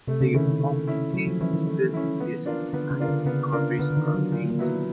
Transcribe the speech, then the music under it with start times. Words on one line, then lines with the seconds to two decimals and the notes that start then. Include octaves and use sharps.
They update this list as discoveries are made.
0.08 C3 A3
0.21 C#3
0.34 D#3 C#4 E4
0.47 D#3
0.60 A3
0.87 C#4 E4
1.14 F#3 A3
1.27 F3
1.40 E3 C#4 E4
1.54 D#3
1.67 A3
1.94 C#4 E4
2.20 B3
2.46 D4 F4 A#4
2.73 D3 B3
2.91 C#3
3.00 D4 F4 A#4
3.08 D3
3.26 C#3 B3
3.52 C#3 D4 F4 A#4
3.79 D3 B3
3.91 D3
3.97 D#3
4.06 D4 F4 A#4
4.14 F#3
4.32 A#2 F#3
4.50 A#3
4.59 F#3 B3 E4